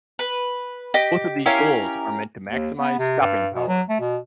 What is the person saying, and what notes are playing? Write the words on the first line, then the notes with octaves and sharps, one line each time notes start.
Both of these goals are meant to maximize stopping power.
B4
G4 D#5
C#4 E4 G4 A#4 C#5 F5
D#2
B3
C3
G2
B2
F#3
A3
B2